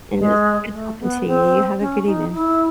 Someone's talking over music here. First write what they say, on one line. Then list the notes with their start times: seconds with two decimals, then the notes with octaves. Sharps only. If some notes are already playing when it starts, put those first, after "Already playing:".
and it's good talking to you. You have a good evening.
0.19 G#3
0.72 A3
0.99 B3
1.27 C4
1.80 C#4
2.06 D#4
2.34 E4